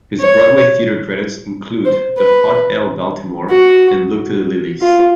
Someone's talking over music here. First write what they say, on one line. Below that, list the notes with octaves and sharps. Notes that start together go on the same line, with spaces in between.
His Broadway theatre credits include "The Hot L Baltimore" and "Look to the Lilies".
C#5
C5
B4
F#4
F4